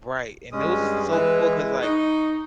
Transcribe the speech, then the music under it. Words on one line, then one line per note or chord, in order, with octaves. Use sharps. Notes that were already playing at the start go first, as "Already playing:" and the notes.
Right. And those are so cool 'cause, like,
G2 G#3 C#4 D#6
E3 G#3 E4 B4
D#4 C#6